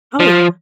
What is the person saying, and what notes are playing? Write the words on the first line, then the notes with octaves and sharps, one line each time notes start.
Oh, yeah.
F3